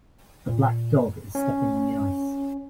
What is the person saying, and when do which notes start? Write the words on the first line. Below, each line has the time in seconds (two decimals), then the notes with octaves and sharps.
A black dog is stepping on the ice.
0.49 A#2
1.35 C#4